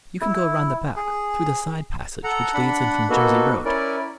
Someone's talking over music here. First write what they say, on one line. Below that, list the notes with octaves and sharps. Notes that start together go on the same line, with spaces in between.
"You can go round the back through the side passage which leads in from Jersey Road."
E4
G#4
A4 F#5 A#5
D4 F#5 B5
A#3 B3 D#4 F#4 A4
C#4 E4 A#4 D5